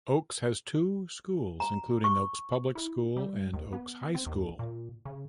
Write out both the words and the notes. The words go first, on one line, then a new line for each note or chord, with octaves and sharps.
Oakes has two schools, including Oakes Public School and Oakes High School.
A#5
C#6
E4
G3
D#2
B3
C4
D#2
A#2
C#3